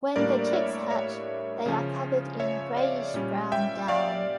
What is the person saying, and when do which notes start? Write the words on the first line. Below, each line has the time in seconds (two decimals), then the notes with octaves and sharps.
When the chicks hatch, they are covered in greyish-brown down.
0.16 A2 G3 A#3 D4 A#4 D5
0.53 C#5 E5
0.90 C#5 E5
1.66 C#3 F3 C#4
2.40 C#5 E5
2.77 D5 F5
3.14 A#2 G3 C#4
3.52 E5 G5
3.88 D5 F5